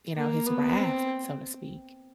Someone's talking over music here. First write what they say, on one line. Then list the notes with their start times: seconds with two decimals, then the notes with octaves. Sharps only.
you know, his wrath, so to speak.
0.16 A#3
0.46 B3
0.76 C4